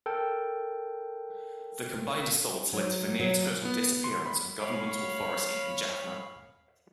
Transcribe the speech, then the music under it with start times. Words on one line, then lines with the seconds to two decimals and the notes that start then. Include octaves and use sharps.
The combined assaults led to the near-total disappearance of government authority in Jaffna.
0.06 A4 A#4 G5
2.73 F#3
3.20 F#3
3.65 B3
4.04 C6
4.26 B5
4.59 C#5 F5 B5